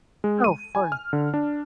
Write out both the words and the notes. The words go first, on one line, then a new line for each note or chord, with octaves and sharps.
Oh, for
G#3
D#7
G#5
F6
D3
D4